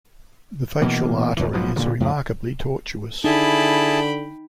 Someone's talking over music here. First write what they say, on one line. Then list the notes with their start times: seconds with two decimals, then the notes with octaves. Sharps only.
The facial artery is remarkably tortuous.
0.82 B2 E3 A#3
1.37 D#2 E3
1.53 B1 B2 F3 F#3
1.76 G2 A#2 D3 F3
2.00 F2 A2
3.24 D3 D#4 E4 G#4 G5 A5 B5